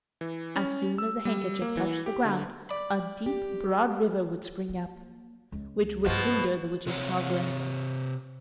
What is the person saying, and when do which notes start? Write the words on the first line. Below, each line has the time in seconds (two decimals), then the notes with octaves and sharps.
As soon as the handkerchief touched the ground a deep, broad river would spring up, which would hinder the witch's progress.
0.21 E3
0.56 C#4
0.98 E6
1.25 G3
1.62 A#3
1.77 E3
2.06 G4
2.25 D3
2.69 D5 B5
3.26 G4
4.69 A#3
5.52 C#2
6.05 G2 B2 F3 F4
6.87 C3 C4 C#5 F#5